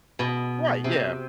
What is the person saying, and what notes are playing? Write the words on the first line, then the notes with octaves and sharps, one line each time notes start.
Right, yeah,
B2
C3